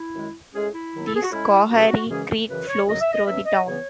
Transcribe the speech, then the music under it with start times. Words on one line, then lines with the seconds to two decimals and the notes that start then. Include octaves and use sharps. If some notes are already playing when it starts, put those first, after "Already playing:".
The Schoharie Creek flows through the town.
Already playing: E4
0.14 F#2 D#3 G#3
0.53 A2 G#3 C#4 G#4
0.72 E4
0.93 D#2 D#3 F#3
1.06 A4
1.15 G#4
1.22 F#4
1.31 A2 G#3 C#4 E4
1.70 C#2 B2 F#3 A3 C#4 F#4
1.79 G#4
1.87 F#4
2.09 F#2 C#3 E3 G#3 C#4 G#4
2.48 F#2 C#3 E3 B4
2.67 C#5
2.87 F#2 C#3 F#3 D#5
3.00 E5
3.12 D#5
3.25 B2 F#3 C#4 E5
3.46 D#5
3.64 E2 C#3 E3 B3 C#5